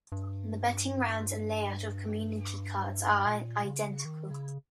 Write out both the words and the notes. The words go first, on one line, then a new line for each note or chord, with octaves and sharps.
The betting rounds and layout of community cards are identical.
G2
A#2
C#3
D#3
C#3